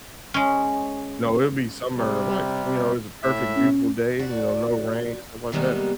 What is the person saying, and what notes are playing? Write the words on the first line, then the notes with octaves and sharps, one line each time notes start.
you know, it'll be summer, like, you know, it's a perfect beautiful day, you know, no rain and stuff like that,
G#3 C#4
C3 G3
A2 E5
C#4
F#4 D5
C3 D#3 G3 G#3 A#3 B3